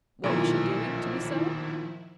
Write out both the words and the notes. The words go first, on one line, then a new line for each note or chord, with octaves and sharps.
What was she doing to be so?
B1 A#2 D#3 F3 E4